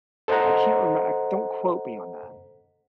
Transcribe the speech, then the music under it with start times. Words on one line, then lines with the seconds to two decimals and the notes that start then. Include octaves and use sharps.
I can't reme don't quote me on that.
0.28 A4 C5 D#5 F#5 A#5